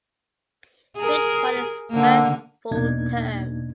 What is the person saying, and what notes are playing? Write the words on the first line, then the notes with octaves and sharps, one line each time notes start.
Fitch won his first full term.
G#4 A#4
D3 A#3
E2 B2 A#3 D4 D#4 G#6